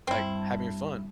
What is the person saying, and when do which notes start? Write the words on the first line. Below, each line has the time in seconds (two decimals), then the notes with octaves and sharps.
like, having fun,
0.07 G2 C4 E4